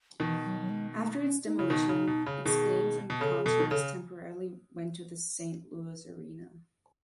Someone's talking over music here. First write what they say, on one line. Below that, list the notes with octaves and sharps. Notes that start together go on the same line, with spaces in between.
After its demolition, its games and concerts temporarily went to the Saint Louis Arena.
B2 D#3 E3
F#3
F#3
G#3
A3
C#4
D#4
C#3 E4
B2 D#3 D#4
C#3
B2
C#3
B2 D#3 G#4
B2
C#3 A4
G#4
B2 A4
D#3
C#3 A4